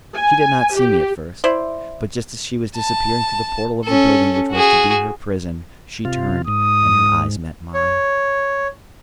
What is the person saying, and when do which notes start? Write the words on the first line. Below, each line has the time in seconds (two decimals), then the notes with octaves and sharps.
She did not see me at first, but just as she was disappearing through the portal of the building which was to be her prison she turned, and her eyes met mine.
0.14 G#5
0.74 G4
1.44 E4 C5 D5
2.76 A5
3.84 C#4 A4
4.51 F#4 G#4
6.05 C3 F4
6.48 G#2 D#6
7.74 C#5